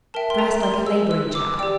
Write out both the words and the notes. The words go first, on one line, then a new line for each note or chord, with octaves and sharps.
Dressed like a labouring chap.
A#4 E5 G5 A5
C6
A#5
C6
E6
E6
D6
G4 D5 G5 E6